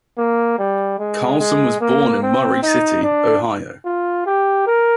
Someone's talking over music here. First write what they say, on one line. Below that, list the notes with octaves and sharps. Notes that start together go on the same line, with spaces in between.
Carlson was born in Murray City, Ohio.
A#3
G3
G#3
G#3
A#3
C4
D#4
D4
F4
G4
A#4